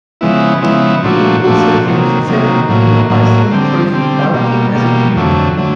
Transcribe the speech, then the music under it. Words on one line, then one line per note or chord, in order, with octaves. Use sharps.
He also finished seventh in the Heisman Trophy balloting as a junior.
C#3 F3 G#3 B3 E4
C#3 F3 G#3 B3 E4
A#2 F3 A3 D4 F#4
A#2 F3 A3 D4 F#4
C3 D#3 F#3 A#3
C3 D#3 F#3 A#3
A2 F#3 A#3
A2 F#3 A#3
D3 G3 C4
D3 G3 C4
B2 G3 A#3
B2 G3 A#3
F2 D3 F#3 A3
D3 F#3 A3